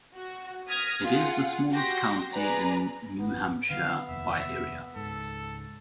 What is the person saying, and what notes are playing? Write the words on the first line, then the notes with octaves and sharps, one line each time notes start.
It is the smallest county in New Hampshire by area.
F#4
D#6 F6 G#6 A#6 B6
F4 G#4 F#5
F#4 G4 C6 A#6
G#4 B4 D5 A#5 B5
G#1 B3
D3 D#3 F#3 B3 F5
F1 D#2 E5
C#2 G#2 A4